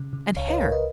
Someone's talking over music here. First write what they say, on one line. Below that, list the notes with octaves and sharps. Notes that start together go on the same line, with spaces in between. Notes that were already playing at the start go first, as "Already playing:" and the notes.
And hair.
Already playing: C#3
C#3
C#2 C#5 F5
B4 D#5
C#2 A#4 C#5
B4 D#5